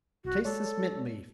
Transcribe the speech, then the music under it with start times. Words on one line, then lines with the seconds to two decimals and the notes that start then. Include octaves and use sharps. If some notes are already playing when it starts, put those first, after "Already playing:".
Taste this mint-leaf!
0.25 C2 F#4
0.45 G#3 A4 C#5 D5